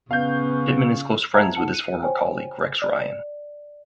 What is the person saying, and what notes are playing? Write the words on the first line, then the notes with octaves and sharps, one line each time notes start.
Pittman is close friends with his former colleague Rex Ryan.
C#3 B3 C#4 F5 G6
E5 F#5 A5 A#5 G#6
D#4 F#5 A5 C#7
F#6 C#7 D#7
C5 C#5 G5 G#5
D5